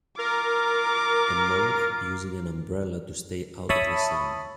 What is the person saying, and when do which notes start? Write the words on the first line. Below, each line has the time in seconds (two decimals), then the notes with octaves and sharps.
A monk using an umbrella to stay out of the sun.
0.19 F4 A#4 D6
3.69 C#5 E5 A5 B5 C#6 D#6